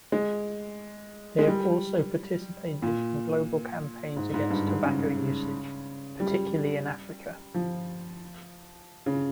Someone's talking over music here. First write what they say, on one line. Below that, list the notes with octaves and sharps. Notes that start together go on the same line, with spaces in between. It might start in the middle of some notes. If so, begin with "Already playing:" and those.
They have also participated in global campaigns against tobacco usage, particularly in Africa.
G#3
G#3
G3
A#2
G#2
G#2
G2
G#2
C#3
G3
F3
C#3